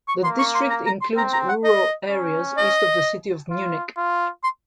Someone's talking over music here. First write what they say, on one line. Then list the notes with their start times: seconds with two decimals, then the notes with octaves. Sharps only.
The district includes rural areas east of the city of Munich.
0.08 C#6
0.24 A#3 C6
0.39 C#6
0.55 C6
0.70 A#5
0.86 A#5
1.01 C6
1.17 C4 A#5
1.33 A#5
1.48 F#5
1.64 D#5
2.10 C#4
2.57 D#5
3.51 F4
3.97 F4
4.43 C6